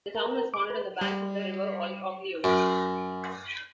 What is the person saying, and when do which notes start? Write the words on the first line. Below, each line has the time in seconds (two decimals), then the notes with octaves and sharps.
The town was founded on the banks of the river Oglio.
0.15 A#4
0.31 A#4
0.54 D6
0.70 B4
1.01 G3
2.44 F#2